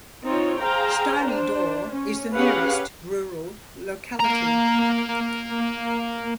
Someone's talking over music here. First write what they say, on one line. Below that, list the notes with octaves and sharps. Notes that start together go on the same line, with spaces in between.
Stary Dor is the nearest rural locality.
C4 D#4 F4 C#5
G#4 C5 F5 G5 A#5
D4 C5
C#4
C#4 G4 G#4 B4 F5 F#5
A#3 A#5